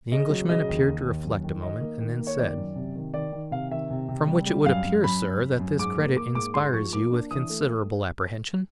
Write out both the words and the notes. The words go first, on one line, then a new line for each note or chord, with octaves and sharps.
The Englishman appeared to reflect a moment, and then said,--"From which it would appear, sir, that this credit inspires you with considerable apprehension?"
C#3 D#5
F#3
C#3 D#5
D#2
D#2
D#2
F#2
D#3
D#3 D#5
A#3
D#3
A#3
C#5
D#3 D5
F#2
C3
D#3
D#3 D5
D#3
C3 F5
D#3 E5
C3
C3
G3
G3
F#2 F5
F#2
F#2 B5
F#2
F#2
F#2
G#2 D6
A#3
A#3 D6
G#2 D6
G#2 C6
F3 C#6
A#3 D6
D4
E3 D#6
A3